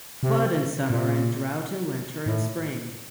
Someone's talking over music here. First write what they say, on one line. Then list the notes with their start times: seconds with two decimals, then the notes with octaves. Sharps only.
Flood in summer and drought in winter and spring.
0.23 C3
0.90 A#2
2.26 A2